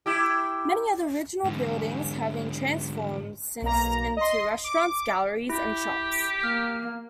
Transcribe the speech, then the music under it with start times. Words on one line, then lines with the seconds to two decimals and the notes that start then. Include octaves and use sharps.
Many of the original buildings have been transformed since into restaurants, galleries and shops.
0.06 E4 G4
1.44 G#2 D3
3.62 B1 A#3 A#5
4.17 D#5 C6
4.64 D6
5.49 E4 G4
6.43 A#3 F6